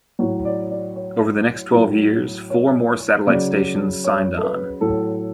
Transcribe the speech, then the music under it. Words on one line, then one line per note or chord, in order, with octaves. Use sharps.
Over the next twelve years, four more satellite stations signed on.
A2 F#3 C#5
D5
D5
C#5
A2 F#3
C#5
C#3 F#3 D5
C#5
A4
B4
A2 F#3 A4